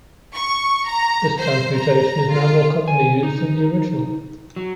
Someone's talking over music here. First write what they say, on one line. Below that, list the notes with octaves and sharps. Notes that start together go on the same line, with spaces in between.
This transmutation is now more commonly used than the original.
C#6
A#5
C5
A#5
F4
G#5
D#4
F#3